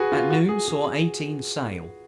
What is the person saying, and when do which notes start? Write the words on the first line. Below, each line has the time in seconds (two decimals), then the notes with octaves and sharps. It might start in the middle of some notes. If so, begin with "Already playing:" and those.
At noon saw eighteen sail.
Already playing: F#4 G#4 B4
0.12 F4
0.30 F#4
0.49 G#4
0.68 G#4